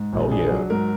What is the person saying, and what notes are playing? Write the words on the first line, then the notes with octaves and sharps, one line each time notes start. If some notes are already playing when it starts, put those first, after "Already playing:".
Oh, yeah.
Already playing: G#2
A#1
D4 G#4
F#3
G#2 A#4